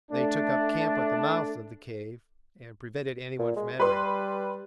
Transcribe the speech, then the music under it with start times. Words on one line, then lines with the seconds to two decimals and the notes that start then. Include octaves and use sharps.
They took up camp at the mouth of the cave and prevented everyone from entering.
0.12 A3 D4
3.39 A#2
3.56 G#3
3.80 G3 B4 C6